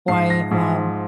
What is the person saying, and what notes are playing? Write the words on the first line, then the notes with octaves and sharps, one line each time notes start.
why um
G#2 F3 C7
A#6
G#2 F3